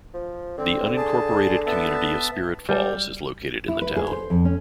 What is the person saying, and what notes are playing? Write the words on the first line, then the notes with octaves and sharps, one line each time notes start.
The unincorporated community of Spirit Falls is located in the town.
F3
D3 C4
G#4 A5
B3 E5 A5
G3
E4
B4
G#4
C5
F2
C#4